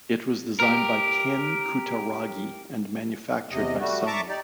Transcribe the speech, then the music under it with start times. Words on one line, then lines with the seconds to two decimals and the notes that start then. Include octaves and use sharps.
It was designed by Ken Kutaragi and manufactured by Sony.
0.60 G4 A#4
3.51 E2 C3 D#5
3.79 G3 A3 F#4
4.07 E5 A5 A#5 C#6 D6
4.29 D#4 G4 D5